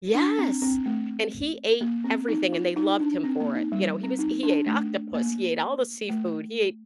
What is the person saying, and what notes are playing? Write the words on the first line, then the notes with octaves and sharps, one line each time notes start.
Yes, and he ate everything, and they loved him for it, you know, he was he ate octopus, he ate all the seafood, he ate
D4
C4
C4
A3
A#3
C4
D#4
F4
D#4
D4
C4
A#3
D#4
G3
C4
D#4
D4
A3
A#3
A3